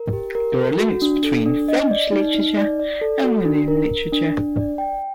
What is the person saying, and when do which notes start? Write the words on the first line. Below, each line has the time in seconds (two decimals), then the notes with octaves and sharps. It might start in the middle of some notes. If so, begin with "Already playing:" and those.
There are links between French literature and Walloon literature.
Already playing: A#4
0.13 G4
0.35 A#4
0.57 A4
0.79 F#4
1.02 D4
1.24 A4
1.46 D4
1.68 D#5
1.91 D5
2.12 D#4
2.35 D#4
2.57 D5
2.80 D5
3.01 A4
3.24 F#4
3.45 D4
3.68 A#4
3.89 A#4
4.12 D4
4.34 D4
4.57 D5
4.78 G5